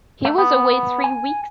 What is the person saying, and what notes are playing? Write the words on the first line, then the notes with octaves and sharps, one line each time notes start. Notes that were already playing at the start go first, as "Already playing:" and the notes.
He was away three weeks.
A3
B3
G#5